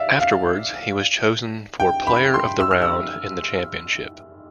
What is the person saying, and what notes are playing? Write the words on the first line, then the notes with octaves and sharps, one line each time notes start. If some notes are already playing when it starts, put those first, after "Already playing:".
Afterwards, he was chosen for player of the round in the championship.
Already playing: D5 E5 F5
F5
G5
B5
C6
E6
F6
E6